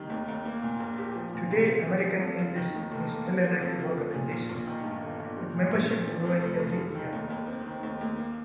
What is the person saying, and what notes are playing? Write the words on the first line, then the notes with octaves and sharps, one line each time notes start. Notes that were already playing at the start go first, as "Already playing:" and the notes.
Today American Atheists is still an active organization with membership growing every year.
Already playing: C3 D#3 G3
D#2
D#2
A#3
A#2
A#1
G4
F3
A#2
C2
C4
C4
F3
F2
F4
D#3
D#2
F1
A#3
C4
F3
F2
F4
F3
A#2
A#1
A#1
D#3
G2
G1
G1
G3
A#2
A#1
C4
F3
F2
F1
F1
G3
D#3
D#2
D#2
C4
D#3
D#2
D#2
A#3